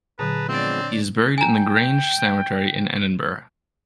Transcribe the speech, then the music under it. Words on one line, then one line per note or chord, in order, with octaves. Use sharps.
He is buried in the Grange cemetery in Edinburgh.
A#2 D3 F#3 G#4 B4 A5 A#5
F3 G#3 B3 C4 D4 C#5 D5
G5 G#5 A#5